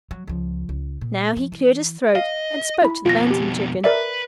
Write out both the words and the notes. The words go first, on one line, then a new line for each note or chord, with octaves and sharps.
Now he cleared his throat and spoke to the Bantam Chicken.
F#3
C#2 F3
C#2
A#2
F3
E3
D#5 F5
E4 B5
F2 B2 F4 A#6
G4
A#4 B4 D5 E5